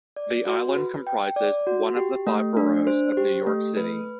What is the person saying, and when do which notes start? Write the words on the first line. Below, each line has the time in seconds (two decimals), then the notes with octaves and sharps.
The island comprises one of the five boroughs of New York City.
0.16 D5
0.47 F#4
0.77 B4
1.07 G5
1.36 D5
1.67 F#4
1.96 G4
2.27 A3
2.57 D4
2.87 C5
3.17 G4
3.47 A3
3.77 B4